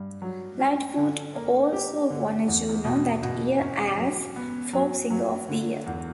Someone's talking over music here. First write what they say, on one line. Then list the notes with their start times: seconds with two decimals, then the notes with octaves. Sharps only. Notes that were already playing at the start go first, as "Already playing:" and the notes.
Lightfoot also won a Juno that year as "Folk Singer of the Year".
Already playing: G2
0.22 F#3
0.60 C#4
0.97 D3
1.35 A#3
1.73 G4
2.10 D3
2.48 E2
2.85 B2
3.23 B2
3.60 C#4
3.97 F#3
4.36 B3
4.73 F#3
5.10 F#3
5.48 D3
5.86 E2